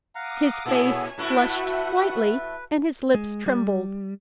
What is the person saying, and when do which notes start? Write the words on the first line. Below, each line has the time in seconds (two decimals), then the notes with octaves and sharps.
His face flushed slightly and his lips trembled.
0.15 F5 F#5 A#5 D6 D#6
0.66 A#2 B3 E4 G#4 A4 C#5 G#5
1.18 A2 A3 E4 F#4 B4 E5 F#5
3.14 G#3
3.46 G3